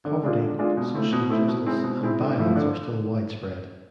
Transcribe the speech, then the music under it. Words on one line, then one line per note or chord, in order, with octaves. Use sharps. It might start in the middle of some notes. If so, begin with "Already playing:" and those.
Poverty, social injustice and violence are still widespread.
D3
G#3 D4 F4
D3
G#3 D4 F4
B2
A3 C4 E4
B2
A3 C4 E4
B2
G#3 C4 E4
B2
G#3 C4 E4
D3
F3 A3 E4
D3